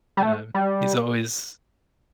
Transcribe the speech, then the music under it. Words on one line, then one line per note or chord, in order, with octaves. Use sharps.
um, he's always
G3
A3
G3